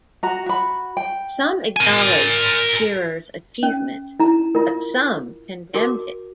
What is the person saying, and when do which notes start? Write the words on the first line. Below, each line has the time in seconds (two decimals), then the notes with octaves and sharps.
Some acknowledged Shirer's achievement but some condemned it.
0.23 F#4 A#5
0.46 F#4 B5
0.97 G5
1.76 A#4 G#5
3.63 C#4
4.20 E4 A#5
4.55 F4 A#4
5.74 F#4 A#4 D6